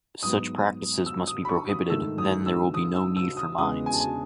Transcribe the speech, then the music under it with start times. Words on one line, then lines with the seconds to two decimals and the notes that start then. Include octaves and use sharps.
Such practices must be prohibited; then there will be no need for mines.
0.23 G#2 F#3 B3 D#6
1.06 E6
1.27 D#6
1.45 B5
1.48 C#6
1.69 D#6
1.90 G#2 D#3 A3 E6
2.18 D#6
2.46 E6
2.74 D#6
2.95 E6
3.16 E6
3.37 D#6
3.58 E2 C#3 G#3 B3 D#6
3.86 G#5
3.93 A5
4.00 G#5